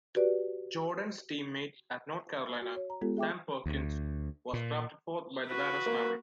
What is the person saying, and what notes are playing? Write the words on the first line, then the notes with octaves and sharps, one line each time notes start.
Jordan's teammate at North Carolina, Sam Perkins, was drafted fourth by the Dallas Mavericks.
F#4 G4 B4 D5
F#4
C#5
A#5
G#3 B3 F4 G4 A4
G#4 E5 G5 D6
D2
A#2
F#4 B4
A#3